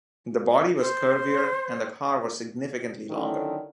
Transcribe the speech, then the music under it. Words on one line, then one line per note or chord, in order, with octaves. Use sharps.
The body was curvier and the car was significantly longer.
C5
D3 D#3 F#3 C#4 E4 A4